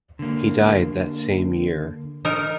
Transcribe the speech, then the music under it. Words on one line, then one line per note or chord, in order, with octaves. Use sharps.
He died that same year.
D3 A#3
D#4 A#4